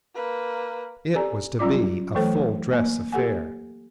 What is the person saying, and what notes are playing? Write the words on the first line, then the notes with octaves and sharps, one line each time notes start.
It was to be a full-dress affair.
A#3 B4
C4 G4 A4 D5 G#5 A#5
F#3 G3 C#4 F4 D5 D6
E3 F#3 A3 A4 C5
A#3
A#3 G4 A4 F#5 G#5